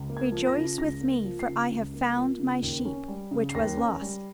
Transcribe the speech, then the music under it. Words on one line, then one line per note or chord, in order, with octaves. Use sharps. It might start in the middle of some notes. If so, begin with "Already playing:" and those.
'Rejoice with Me, for I have found My sheep which was lost.
Already playing: C#2
A#3
G#6
F3
A#6
C#3
C#2 A#6
A#3
F3
C7
C#3
C#2
A#3
F3
C#3
D#2
C#4
G3
C#3
C7
D#2 A#6
C#4
G3